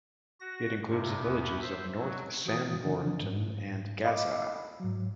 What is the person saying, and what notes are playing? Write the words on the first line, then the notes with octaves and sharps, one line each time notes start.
It includes the villages of North Sanbornton and Gaza.
F#4 A#6
G2 C3
E2 B3
C5 E5
F#3
E3 F#4 D#6 A6
C#3 E3 D4
G#2
D#5 F5 B5 D6
G#2 F#3